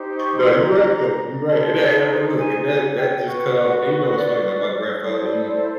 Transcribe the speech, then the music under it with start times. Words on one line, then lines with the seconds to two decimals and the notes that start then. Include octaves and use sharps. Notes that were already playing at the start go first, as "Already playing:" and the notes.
No, you right though, you right, and that and and look, and that that just comes, and you know it's funny like my grandfather, he
Already playing: D#4 G4 C5
0.16 C#6
0.37 C6
0.60 A#5
1.48 D#4 G#4 C5 A5
2.37 G#5
2.66 G#5
2.96 G5
3.25 F#4 B4 F#5
4.13 D5
5.02 E4 A4 C5 C#5
5.15 C#5
5.25 D5
5.47 D5